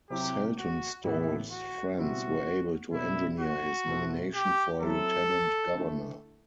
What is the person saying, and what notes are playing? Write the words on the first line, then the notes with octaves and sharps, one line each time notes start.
Saltonstall's friends were able to engineer his nomination for Lieutenant Governor.
C3 F#3 C4 E4 G4
F#4
A2 E3 B3 E4
F#4
B2 G3 C4 E4 F#4
B2 G3 D4 E4
F#4
B2 A3 C4 E4
G4
F#3 C4 E4 A4
D3 A3 E4